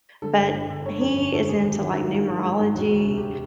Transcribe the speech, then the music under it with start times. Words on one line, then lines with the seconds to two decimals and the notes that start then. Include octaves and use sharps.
But he is into, like, numerology
0.22 D3 A4
0.38 G1
0.54 G1
0.70 D3
0.86 D3 C#5
1.01 F2 C#5
1.17 G1 C#5
1.33 D3 A4
1.48 G#1 G#4
1.64 G#1
1.70 G4
1.81 D#3
1.91 F#4
1.96 G#2
2.12 D#3 F4
2.27 D#3
2.44 G#3
2.59 G#2
2.75 E1 F#4
2.91 D2
2.96 F#4
3.07 C3
3.18 G4